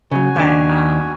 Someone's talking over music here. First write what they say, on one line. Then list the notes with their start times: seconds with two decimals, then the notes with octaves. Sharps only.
But, um,
0.11 C#3 F#3 F#4 G#5
0.36 D#2 D4